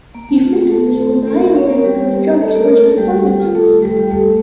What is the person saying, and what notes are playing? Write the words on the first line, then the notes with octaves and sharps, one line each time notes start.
He frequently will not even write down the jokes for his performances.
A#3
A3
F4
A3 A4
A#3 A#4
C#4 C#5
A#3 A#4
G3 G4
A3 A4
A#3 A#4
A#3 A#4
A3 A4
G3 G4
G3 G4
F4
A3 A4
G3 G4
G3 G4
A3 A4